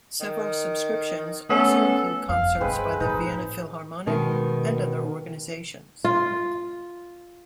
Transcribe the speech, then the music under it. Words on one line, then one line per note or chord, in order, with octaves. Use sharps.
Several subscriptions also include concerts by the Vienna Philharmonic and other organizations.
D#3
A3 B3 C#4 A4
F#1 F2 F5
G2 D3 G#3 C4 B4 D#6
A2 F3 D#4 B4 C5
B2 D#3 G#3
F4